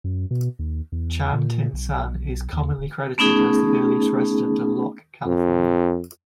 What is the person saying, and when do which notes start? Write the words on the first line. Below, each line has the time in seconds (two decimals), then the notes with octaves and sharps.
Chan Tin-San is commonly credited as the earliest resident of Locke, California.
0.04 F#2
0.31 B2
0.59 D#2
0.92 E2
1.33 A#2
1.73 B1
2.53 D#2
2.78 D1
3.18 A3 B3 C#4 D#4 G#4
5.26 F2